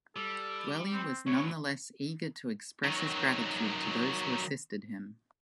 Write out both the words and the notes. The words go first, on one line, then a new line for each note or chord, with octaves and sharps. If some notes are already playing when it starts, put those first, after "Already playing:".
Dwelly was nonetheless eager to express his gratitude to those who assisted him.
G3 A4
C4
D2 A2 C#5
D#3 F#3